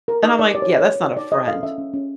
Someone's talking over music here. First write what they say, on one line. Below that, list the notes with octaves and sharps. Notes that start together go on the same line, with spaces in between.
And I'm, like, "Yeah, that's not a friend."
A#4
D#4 D#5
D#4 D5
G4 D5
C#5
B4
C#5
B4
F#4
D#4 D5
B4 D#5
A4 F5
C#4 E5
C#4
C#4